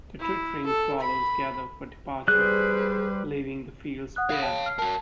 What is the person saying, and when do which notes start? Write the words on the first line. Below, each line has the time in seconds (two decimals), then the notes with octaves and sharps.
The twittering swallows gather for departure, leaving the fields bare.
0.19 E4
0.66 A4
1.00 B5
2.28 G3 G#4 B4 C5 F#6
4.16 F#5 D#6 F#6
4.30 F5 B5
4.42 C#5 G5 A5
4.66 F6 C7
4.79 F#4 A#4 A5